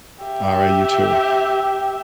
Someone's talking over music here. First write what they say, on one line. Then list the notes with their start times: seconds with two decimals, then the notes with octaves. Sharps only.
Alright, you, too.
0.24 G4 E5